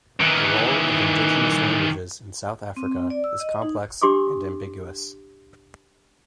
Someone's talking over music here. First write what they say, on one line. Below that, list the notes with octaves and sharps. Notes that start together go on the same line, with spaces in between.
The role of indigenous languages in South Africa is complex and ambiguous.
D#3 E3
C4
D5
E6
D#5
D#4
D4 G4 C6 D6 D#6